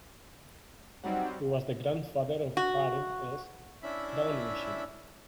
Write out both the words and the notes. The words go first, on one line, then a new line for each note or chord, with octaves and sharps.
He was the grandfather of Arent S. Crowninshield.
F#3 G3 B3 C4 D#4 F#5
F#4
C#4 D4 E4 E5 B5